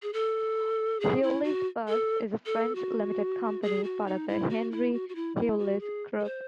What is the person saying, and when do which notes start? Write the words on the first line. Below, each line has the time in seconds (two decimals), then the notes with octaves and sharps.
Heuliez Bus is a French limited company, part of the Henri Heuliez Group.
0.02 G#4
0.13 A4
1.00 G#4
1.23 E4
1.44 F#4
1.88 A4
2.46 A4
2.75 F#4
3.62 G#4
3.84 F#4
4.06 D#4
4.28 E4
4.50 F#4
4.71 E4
4.93 F#4
5.09 F#4
5.15 E4
5.37 E4
5.59 F#4
5.80 G#4
6.20 A4
6.24 C5